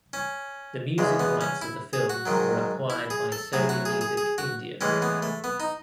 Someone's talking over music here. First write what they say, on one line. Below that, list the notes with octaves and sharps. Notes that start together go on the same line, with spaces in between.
The music rights of the film were acquired by Sony Music India.
C#4
E2 C#3 G#3
B3
C#4
E4
G#4
F#4
G#2 D#3 F#3
E4
G#4
A4
A2 F#3 G#4
F#4
G#4
G#4
G#4
F#4
A2 E3 G#3 C#4
B3
A3
B3
D#4